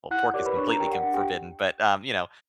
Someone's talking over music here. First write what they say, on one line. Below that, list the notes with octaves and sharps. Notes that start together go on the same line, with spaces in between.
well, pork is completely c forbidden, but, um, you know,
E4 F#5 F#6
G4 A#4 C#5 D5 D6
B4 B5
D4 C#5 C#6
A#4 A#5
G4 A#4 D5 G5
F#5
D4 F#5
G4 G5